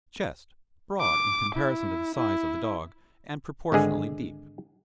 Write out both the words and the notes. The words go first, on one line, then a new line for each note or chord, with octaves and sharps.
CHEST--Broad in comparison to the size of the dog, and proportionately deep.
D6
E4
E4
G#1 D3 G#3 G#4